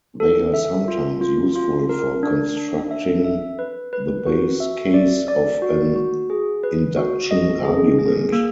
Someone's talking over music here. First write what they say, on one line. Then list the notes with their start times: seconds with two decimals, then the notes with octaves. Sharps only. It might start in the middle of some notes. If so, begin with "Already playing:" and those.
They are sometimes useful for constructing the base case of an induction argument.
0.20 A4
0.54 E5
0.88 F4
1.21 F4
1.55 F4
1.89 A#4
2.23 D4
2.57 D4
2.91 E5
3.24 E5
3.59 B4
3.93 B4
4.26 F#4
4.60 E5
4.94 D5
5.28 D5
5.62 F#4
5.96 F#4
6.30 G#4
6.64 B4
6.97 F#4
7.31 D#5
7.65 G#4
7.98 G#4
8.33 A#3